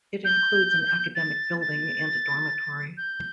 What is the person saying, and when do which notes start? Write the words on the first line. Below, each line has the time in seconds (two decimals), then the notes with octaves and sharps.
It includes an academic building and a dormitory.
0.25 G6
1.15 A6
1.61 A6
2.97 G6